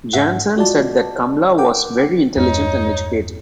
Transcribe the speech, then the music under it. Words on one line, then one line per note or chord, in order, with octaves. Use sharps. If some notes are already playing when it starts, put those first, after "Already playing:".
Janssen said that Kamala was "very intelligent and educated".
G#2 E5 F#5
F4 F#4 D5 D#5 A5
A#4 F#5 G5 D6
E2 G2 G#3 D#4 C#5